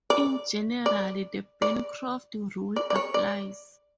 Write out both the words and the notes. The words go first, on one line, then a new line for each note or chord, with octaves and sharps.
In general, the Bancroft rule applies.
D5
D5
D5
D5
D5
C#5
D5